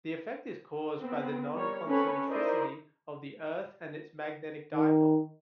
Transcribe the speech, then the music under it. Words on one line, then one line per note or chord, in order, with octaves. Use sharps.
The effect is caused by the non-concentricity of the Earth and its magnetic dipole.
B3 C4
G3 A#4 C#5
C4 C#4 A4 B4 C#5 B5
D#4 E4 A#4 C5 D5 D#5
D#3